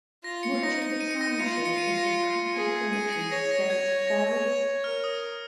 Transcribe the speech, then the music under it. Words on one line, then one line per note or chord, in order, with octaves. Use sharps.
Much of the township is the Copper Country State Forest.
F4 A#6
C#7
D#4 A#6
A#6
C#7
D#7
C#7
A#6
D#7
F4 C#7
A#6
C#7
D#7
C#7
A#6
C#7
G#4
D#7
C#7
C#5 A#6
A#6
G#6
A#6
G#6
A#4 F6
D#6